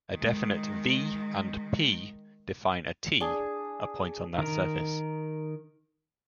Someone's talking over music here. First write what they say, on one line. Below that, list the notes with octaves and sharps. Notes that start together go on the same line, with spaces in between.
A definite "V" and "P" define a "T", a point on that surface.
D#3 G#3
D4 G#4
D#3 A#4